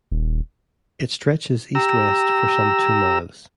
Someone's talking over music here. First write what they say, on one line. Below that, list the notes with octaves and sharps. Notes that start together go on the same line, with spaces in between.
It stretches east-west for some two miles.
D#1
G4 A#5 E6